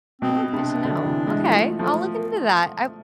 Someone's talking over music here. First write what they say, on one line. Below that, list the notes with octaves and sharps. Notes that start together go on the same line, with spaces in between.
Oh, good to know. Okay, I'll look into that. I
B2 C4
C3 D4
B2 D3
C3 E3
E3 G#3
F3 A3
F3 A3